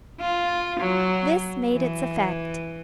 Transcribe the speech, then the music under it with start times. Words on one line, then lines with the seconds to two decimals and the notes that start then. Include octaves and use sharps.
This made its effect.
0.20 F4
0.80 F#3
1.73 E3